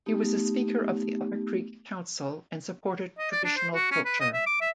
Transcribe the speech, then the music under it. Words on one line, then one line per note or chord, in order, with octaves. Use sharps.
He was a Speaker of the Upper Creek Council and supported traditional culture.
A3 B3 D#4 G4
D#5
D5
D4
C5
F#4
C#4
B4
D#5
E5
D6
E5